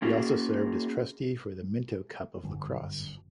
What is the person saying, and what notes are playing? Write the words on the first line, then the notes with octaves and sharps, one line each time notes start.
He also served as trustee for the Minto Cup of lacrosse.
A#3 C#4 F#4 G#4
G1 F#2